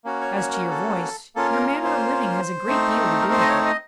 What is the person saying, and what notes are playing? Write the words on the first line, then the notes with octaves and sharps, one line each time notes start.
As to your voice, your manner of living has a great deal to do with it.
A#3 C#4 F#4
C#5
C#5
A#4
A4
A#3 C#4 F4 A4
A#4
A#4
C5
A3 C4 D#4
A#4
C5
D#5
C#5
D#5